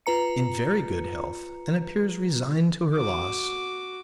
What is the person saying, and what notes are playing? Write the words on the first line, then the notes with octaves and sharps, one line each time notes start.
"In very good health, and appears resigned to her loss."
F4 B4 A#5 C#7
F#4 D6